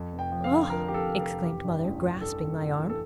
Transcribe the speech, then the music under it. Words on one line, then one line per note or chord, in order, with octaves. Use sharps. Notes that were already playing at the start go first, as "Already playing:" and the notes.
"Oh!" exclaimed mother, grasping my arm.
Already playing: F2
F1
G5
F3
F5
D3
F3 A#4
F2 G4
A4
F1
A4
F1
A1 G4
G2
A1
G2
G2 A4
A1
A1
E3
A4